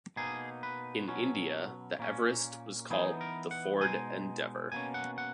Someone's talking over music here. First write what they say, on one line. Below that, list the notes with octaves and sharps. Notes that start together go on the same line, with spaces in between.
In India, the Everest was called the Ford Endeavour.
B2 A#3 D#4 G#4
B4
B2 F#3 C#4
A#2 A#3 C#4
E3 B3 D#4 G#4
A#4
F#5
B2 G#3 D#4 G#5
B2 A#3 C#4 G#5
F#5
F#5